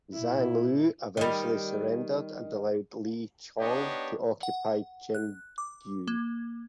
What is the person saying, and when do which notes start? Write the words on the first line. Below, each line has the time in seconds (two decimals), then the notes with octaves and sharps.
Zhang Luo eventually surrendered and allowed Li Xiong to occupy Chengdu.
0.13 A#2 E4
1.17 D#3 G3
3.58 B3 D4 D#4 G4 C#5 D#5
4.43 F#5
5.15 F#6
5.58 D6
6.08 A#3